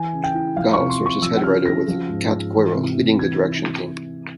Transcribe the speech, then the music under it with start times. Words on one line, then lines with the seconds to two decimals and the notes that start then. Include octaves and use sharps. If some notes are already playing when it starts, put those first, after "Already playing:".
Gao serves as head writer with Kat Coiro leading the direction team.
Already playing: E3 G#5
0.13 C#3
0.24 G5
0.35 E4
0.57 F3 F5
0.73 C3 C#6
0.90 C6
1.00 C3
1.06 C#6
1.22 F3 E6
1.44 C#3 F6
1.66 C#3 A#6
1.88 F3
2.09 G#2
2.32 G#2
2.54 E3
2.75 C3
2.98 C3
3.19 E3 G#6